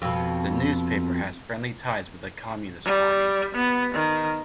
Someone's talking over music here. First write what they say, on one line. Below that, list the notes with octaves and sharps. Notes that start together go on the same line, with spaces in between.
The newspaper has friendly ties with the Communist Party.
F2 B2
G3
B3
D#3